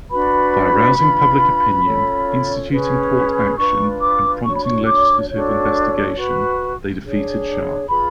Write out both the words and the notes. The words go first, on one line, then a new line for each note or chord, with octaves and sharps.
By arousing public opinion, instituting court action, and prompting legislative investigation, they defeated Sharp.
D4 F#4 B4 B5
D4 F4 B4
C#4 F4 A4 C#5
C#4 G#4 B4
D4 F4 B4 C#6
D6
D4 F#4 C#5 C#6
B5
C#6
D6
D4 F#4 A4 C#5
F#4 B4
D4 G#4 C#5
F4 G#4 B4 B5